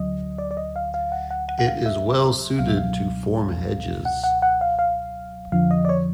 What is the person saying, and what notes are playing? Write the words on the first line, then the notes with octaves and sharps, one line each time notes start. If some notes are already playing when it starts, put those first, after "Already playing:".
It is well suited to form hedges.
Already playing: D2 D3 F#3 D#5
D5
D5
D#5
F5
F5
F#5
F#5
F#5
F#5
F5
E5
C#2 B2 F#3 F5
E5
F5
F#5
F#5
F#5
F5
F5
F2 D3 F3 F5
D#5
D5
C#5